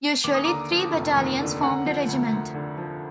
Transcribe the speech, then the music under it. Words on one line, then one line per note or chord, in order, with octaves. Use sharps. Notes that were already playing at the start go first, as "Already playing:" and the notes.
Usually, three battalions formed a regiment.
D#2 D6
D#6
D3 A#5 D6
F3
F1
D#2
D3
D3 F#5 A#5
F3
D2
D2
D3
F3